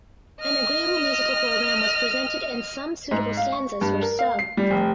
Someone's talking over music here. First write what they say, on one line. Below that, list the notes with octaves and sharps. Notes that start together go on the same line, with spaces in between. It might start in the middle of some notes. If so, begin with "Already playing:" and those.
An agreeable musical program was presented and some suitable stanzas were sung.
D#5 F6
G#2
F5
C#6
G2
A#4
F5
C7
G3
F1